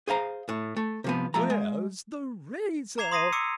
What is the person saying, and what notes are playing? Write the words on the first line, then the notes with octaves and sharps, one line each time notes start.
"Where's the razor?"
G#4 C5 F5 A#5
A2
A3
C3 F3 B3
F3 A3 A#5
G#3
A#5 D6 G#6 C7 E7 F7
C6 D#6 A#6 C7 D#7
D6 E6 C#7